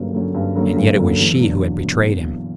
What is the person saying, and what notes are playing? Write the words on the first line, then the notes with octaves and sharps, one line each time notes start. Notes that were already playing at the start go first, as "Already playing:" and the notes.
And yet it was she who had betrayed him.
Already playing: G2 D3 F#3 A#3 C#4
D3 F#3 A#3 C#4
G2
D3 F#3 A#3 C#4
G2
D3 F#3 A#3 C#4
E2
B2 F#3 B3 D4
E2
B2 F#3 B3 D4